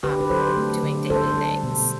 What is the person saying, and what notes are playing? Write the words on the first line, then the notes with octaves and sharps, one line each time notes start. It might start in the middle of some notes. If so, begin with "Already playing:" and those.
um, doing daily things.
D3 G4 B4
B4
F#3 A4 C5
A3
D3
G3 A4 C5
G3
B2